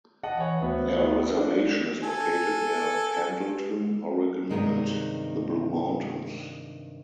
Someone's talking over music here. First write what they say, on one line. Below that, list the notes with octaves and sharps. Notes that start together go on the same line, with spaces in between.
Their reservation is located near Pendleton, Oregon and the Blue Mountains.
D#5 F#5 A5
E3 C#5 F#5
D2 B3
B3
D4
A4 G#5
G2 C3 D#3 G#3